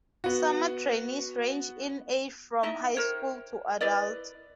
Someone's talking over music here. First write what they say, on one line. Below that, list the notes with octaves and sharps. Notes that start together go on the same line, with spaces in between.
Summer trainees range in age from high school to adult.
B3 F#4
D#4 E4 D#5 E5
A#4 C5 C#5 G5
E4 B4 D5 D#5